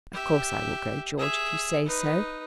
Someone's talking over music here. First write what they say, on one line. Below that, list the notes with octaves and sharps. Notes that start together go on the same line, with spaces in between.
Of course I will go, George, if you say so.
G4 E5
G#4 E5
D#4 B4